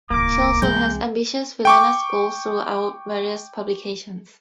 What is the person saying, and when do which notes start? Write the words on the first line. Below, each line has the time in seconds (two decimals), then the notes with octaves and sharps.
She also has ambitious villainous goals throughout various publications.
0.10 D1 C2 A#3 A#4 D6
0.62 C2 C3 E3 G#3 G6
1.65 G5 C#6 D6